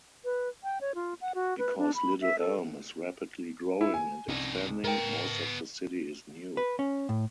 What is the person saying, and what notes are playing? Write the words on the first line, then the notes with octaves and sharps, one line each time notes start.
Because Little Elm is rapidly growing and expanding, most of the city is new.
B4
G5
C#5
F4
F#5
F#4
B4
D4
B5
E5
A4
E4
G#5
C2 C#3 D#4
B3 A#4 G5 A5
B4
C#4
A2